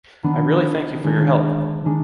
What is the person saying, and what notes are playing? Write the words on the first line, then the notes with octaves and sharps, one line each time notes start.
I really thank you for your help.
D#3 B3 D4
D#3 G#3 D4
D#3 G#3 D4